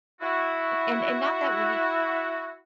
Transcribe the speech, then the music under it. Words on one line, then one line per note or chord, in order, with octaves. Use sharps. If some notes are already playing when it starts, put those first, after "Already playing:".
and and not that we
E4 F#4